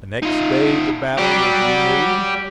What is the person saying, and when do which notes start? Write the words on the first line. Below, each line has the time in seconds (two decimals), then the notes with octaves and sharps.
The next day the battle was renewed.
0.23 D#4 F4
1.18 F#3 G4 D5